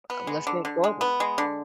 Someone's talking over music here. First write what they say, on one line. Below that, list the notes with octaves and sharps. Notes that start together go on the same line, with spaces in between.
a well, let's say global.
B3
G#3
D3
D3
G#3
B3
G#3
D3